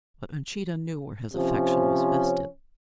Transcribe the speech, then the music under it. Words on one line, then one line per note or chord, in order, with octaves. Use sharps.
But Uncheedah knew where his affection was vested.
C3 F3 C#4